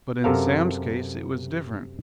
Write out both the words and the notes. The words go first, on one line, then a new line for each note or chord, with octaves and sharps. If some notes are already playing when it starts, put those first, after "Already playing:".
But in Sam's case it was different.
F#2 C3 A4 A#4 F5